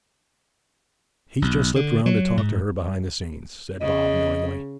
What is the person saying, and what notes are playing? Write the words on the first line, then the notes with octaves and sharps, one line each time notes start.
'He's just slipped round to talk to her behind the scenes,' said Bob knowingly.
B1
D3
F#3
G#2
C#3 D#5